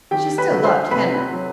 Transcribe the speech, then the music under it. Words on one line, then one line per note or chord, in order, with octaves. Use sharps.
She still loved Henry.
D#3 G4 G5
B4 B5
D2
C5 C6
C3 B4 B5
F#3